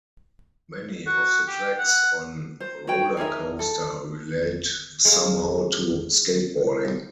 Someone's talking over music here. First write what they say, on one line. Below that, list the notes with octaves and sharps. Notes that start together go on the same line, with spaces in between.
Many of the tracks on "Roller Coaster" relate somehow to skateboarding.
F#4
G4
F#5
C5
F#4 C#5 G5
D#4 G#4 A#4 E5
A4
G#3 F5